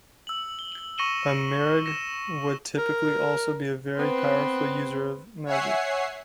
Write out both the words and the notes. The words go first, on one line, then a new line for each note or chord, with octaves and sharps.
A Meargh would typically also be a very powerful user of magic.
E6 F#7
G7
C#6 A#6 C#7 D#7 E7 G7
A#6 C#7 E7
A#4
B3 C4 B4 C6
C#5 E5 F#5 G#5 C7